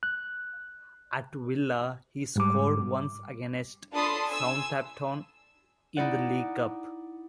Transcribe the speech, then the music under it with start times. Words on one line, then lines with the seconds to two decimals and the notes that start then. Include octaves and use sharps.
At Villa he scored once against Southampton in the League Cup.
0.03 F#6
2.36 G#2 G3 D6
3.92 D4 F4 A4 B5 C6 D#6
4.28 G#5 E6
5.97 D#4 E4 D5 F#5